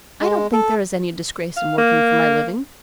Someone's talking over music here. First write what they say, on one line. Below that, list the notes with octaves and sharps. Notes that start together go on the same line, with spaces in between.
I don't think there is any disgrace in working for my living.
G#3
A4
F5
A#3